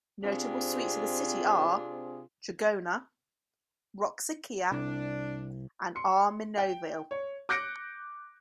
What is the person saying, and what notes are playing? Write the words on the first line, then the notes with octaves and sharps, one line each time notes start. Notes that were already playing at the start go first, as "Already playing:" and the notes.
Notable sweets of the city are "Trigona", "Roxakia" and "Armenovil".
C3 C4 D4 F4 G#4
C2 D4
C6 C#7
G5
C#5
D6 F#6 G6 A#6 C#7 D7